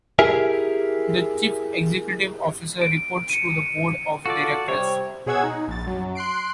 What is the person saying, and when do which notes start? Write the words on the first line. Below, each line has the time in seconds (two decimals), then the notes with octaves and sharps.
The chief executive officer reports to the board of directors.
0.19 E4 G4 G#4 A#4 E5
2.82 D7
3.30 C#7 D#7
4.26 F4 F#4 A4 D5
4.68 C3 G3 C#5
5.26 B2 G#4 C#5 F#5 E6 G#6
5.43 D#4
5.68 A#1 A6
5.86 F#2 F#3
6.15 C6 F#6 C7 D7